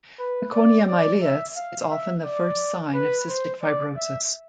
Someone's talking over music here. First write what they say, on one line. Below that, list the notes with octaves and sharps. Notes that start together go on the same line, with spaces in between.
Meconium ileus is often the first sign of cystic fibrosis.
B4
D5
D5
E5
F5
E5
D5
B4
C5
D5
E5